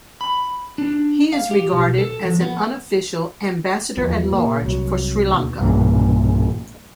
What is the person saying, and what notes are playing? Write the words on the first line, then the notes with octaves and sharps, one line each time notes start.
He is regarded as an unofficial "Ambassador-at-Large for Sri Lanka".
B5
D4
F5
G4
B1
A4
F3
B3
E2 F3 B3
A#2 A#3
C2 F#3
D#2 B2
B1 G2 A#2 E3